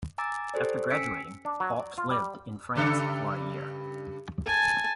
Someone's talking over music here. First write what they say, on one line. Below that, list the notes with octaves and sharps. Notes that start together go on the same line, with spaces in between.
After graduating, Faulks lived in France for a year.
G#5 A#5 D6 E6 A6
G4 A4 C5 D5
C#4 G#5 E6 B6 C#7 D7
D4
F#3
D5
F4
G3
G2 C#3 A4
G#5 A5